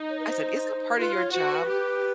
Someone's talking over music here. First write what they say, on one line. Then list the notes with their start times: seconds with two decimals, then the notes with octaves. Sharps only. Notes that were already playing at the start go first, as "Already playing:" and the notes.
I said, "...isn't part of your job
Already playing: D#4
0.10 C#5
0.19 B4
0.27 C5
0.97 F4 B4
1.15 C#5
1.32 F#4 C5
1.51 C5
1.55 B4
1.69 G4